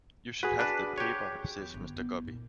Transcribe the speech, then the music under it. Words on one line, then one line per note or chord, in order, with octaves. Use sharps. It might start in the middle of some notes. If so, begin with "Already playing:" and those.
"You shall have the paper," says Mr. Guppy.
F#4 G#4 B4
D4 B4
G4 C#5
E2
G1
B3
F#1
A#2